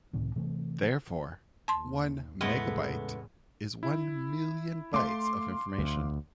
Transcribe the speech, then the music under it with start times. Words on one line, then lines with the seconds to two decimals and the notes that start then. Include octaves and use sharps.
Therefore, one megabyte is one million bytes of information.
0.13 C#2 A2 C3 D#3
0.36 C3 E3 A3
1.68 D#2 A5 C6
2.41 E2 A2 C#3 G#3 A3 B3
3.83 E4
4.94 A3 F5 C6 D6
5.78 D2